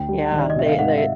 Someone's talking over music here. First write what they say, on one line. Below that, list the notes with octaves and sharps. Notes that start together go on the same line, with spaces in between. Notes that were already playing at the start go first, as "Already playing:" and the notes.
Yeah, they they
Already playing: D2 G5
G3
D#3
D5
D#5
C3 E5
F5
G#2 F#5
E5